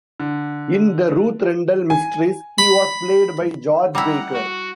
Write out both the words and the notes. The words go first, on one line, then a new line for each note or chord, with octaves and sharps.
In "The Ruth Rendell Mysteries" he was played by George Baker.
D3
G#5
B5
G3 E4 F#5 A#5
F#4